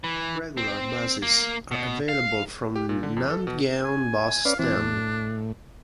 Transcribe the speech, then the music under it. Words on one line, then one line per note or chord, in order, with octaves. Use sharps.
Regular buses are available from Nandgaon Bus Stand.
E3
C4
A#3
B2
F5
G4
A#2
D3
F2
A4
B2
G#5
C#4 B4 D5 F5
E3 C4 D4
A2